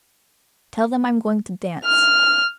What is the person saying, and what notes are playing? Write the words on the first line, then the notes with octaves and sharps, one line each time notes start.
Tell them I'm going to dance.
F6